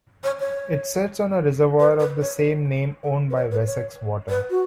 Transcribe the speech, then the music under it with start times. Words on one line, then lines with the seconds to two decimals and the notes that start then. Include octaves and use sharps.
It sits on a reservoir of the same name owned by Wessex Water.
0.24 C#5
0.39 C#5
1.80 B4
2.00 B4
2.21 C#5
3.04 A4
3.30 B4
3.36 C#5
3.51 B4
3.66 C#5
4.29 B4
4.50 F#4